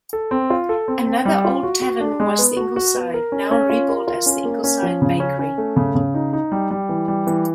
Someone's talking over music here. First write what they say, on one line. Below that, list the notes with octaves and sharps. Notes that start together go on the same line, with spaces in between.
Another old tavern was the Ingleside, now rebuilt as the Ingleside bakery.
A4
C4
F4
A4
C4
C4
G3
F4
F#4
F#4
D4
G#3
B3
F#4
F#4
B3
A#4
C#4
C#4
F4
A#4
F4
C#4
A#3
C#4
F3
C#3
C#4
C#4
A3
C#3
C#3
D#4
D#4
G3
G3
E3
G3
E3